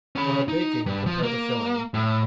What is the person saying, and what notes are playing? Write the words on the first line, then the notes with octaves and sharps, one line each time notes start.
While baking prepare the filling.
C#4 B5
D#4
G2
F3
A#3
A2